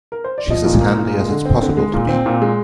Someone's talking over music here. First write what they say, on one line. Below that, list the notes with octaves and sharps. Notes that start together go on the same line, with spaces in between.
She's as handy as it's possible to be.
A#4
C5
D5
F3 D#5
A#2
A#3
A#2
G#3
D3
C4
D3
G#3
A#2
C4
A#2
G#3